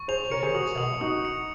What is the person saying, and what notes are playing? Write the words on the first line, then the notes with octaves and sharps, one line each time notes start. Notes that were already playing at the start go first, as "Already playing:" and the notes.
She didn't tell me.
Already playing: C#6
G#4 C5 F7
A#4 C#5 C#7
G#4 C5
F#4 A#4 D#6
D#6
D#4 F#4 D#6
C#7